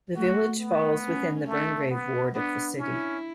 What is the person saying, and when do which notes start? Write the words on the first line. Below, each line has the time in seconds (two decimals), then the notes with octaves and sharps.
The village falls within the Burngreave ward of the City.
0.15 A3 F#4
0.60 B3
1.03 C#4
1.47 A3
1.90 B3
2.34 B3 D4
2.78 C#4 E4